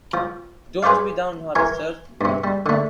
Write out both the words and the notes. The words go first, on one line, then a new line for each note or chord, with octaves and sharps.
Don't be down-hearted, sir.
F3
G#4 B4 C5 D5 F5
E3 A#4 G#5 A#5
G2 C3
G3
D3 A3